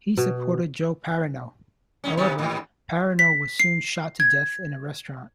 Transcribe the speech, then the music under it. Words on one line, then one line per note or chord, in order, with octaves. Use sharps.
He supported Joe Parrino; however, Parrino was soon shot to death in a restaurant.
B2
F2 A2 C#4
C3 D#3 B3
D#2 G#2 E3
B6
C7
G#6